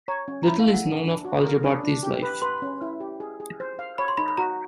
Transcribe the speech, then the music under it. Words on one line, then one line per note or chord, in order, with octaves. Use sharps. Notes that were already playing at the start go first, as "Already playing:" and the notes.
Little is known of Al-Jabarti's life.
C#5 A#5
C#4
A#5
E4 B5
F5
A4
F#5
D4
D4
F#4
A#4
D4 B5
D4
G4
B4
B4 C6
C#4
E4
G4
G#4
G#4
C5
F5
C#5 B5
C6
D#4 B5
B5
F#4 A#5